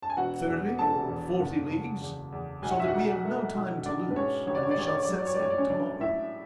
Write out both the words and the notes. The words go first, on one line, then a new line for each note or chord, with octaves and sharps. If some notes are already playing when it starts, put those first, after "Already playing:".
"Thirty or forty leagues; so that we have no time to lose, and we shall set sail to-morrow."
A5
G#5
E1 F#4 F#5
E2
E1 A4 A5
E2
F#1
F#1
E2
E2
B1 G#5
F#5
E5
F#4 F#5
B1
A3
B1
A1 D4 D5
B4
G#2 C#4 C#5
A1 C#5
D5
C#5
D5
A1 C#5
D5
C#5
D5
F#3 C#5
D5
C#5
D5
A2 C#5
D5
C#4 C#5
F#3 D4 D5
A2 E4 E5